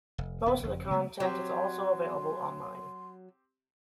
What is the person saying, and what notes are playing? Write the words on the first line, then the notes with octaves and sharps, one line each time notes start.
Most of the content is also available online.
F1
D1 F#2 B3
F#1 F2
C#3 G#3 A3 B3
F#3 C4 G4 C6